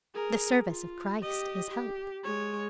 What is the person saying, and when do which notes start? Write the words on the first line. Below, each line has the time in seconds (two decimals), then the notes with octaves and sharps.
The service of Christ is help.
0.14 G#4 A#4
0.68 F4
1.22 G4 D#5
1.70 G4
2.24 G#3 C#5